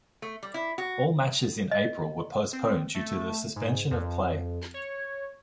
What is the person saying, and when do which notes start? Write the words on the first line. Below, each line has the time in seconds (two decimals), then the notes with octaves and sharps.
All matches in April were postponed due to the suspension of play.
0.22 A3
0.43 G3
0.54 E4
0.78 F#4
1.71 D#5
2.53 C4
2.95 A3
3.56 G#2
3.91 F2
4.74 C#5